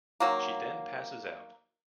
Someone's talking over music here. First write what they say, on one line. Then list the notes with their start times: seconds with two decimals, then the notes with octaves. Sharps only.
She then passes out.
0.20 D#3 F#3 A#3